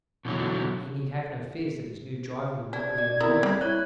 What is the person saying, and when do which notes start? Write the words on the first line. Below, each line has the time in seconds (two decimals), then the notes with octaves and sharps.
He need have no fears that his new driver will not be employed.
0.25 B2 D3 E3 F#3
2.73 D4 G#6
2.98 B2 D5
3.20 B3 C4 E4 A#4
3.43 G3 A#3
3.61 E4 C#5 F#6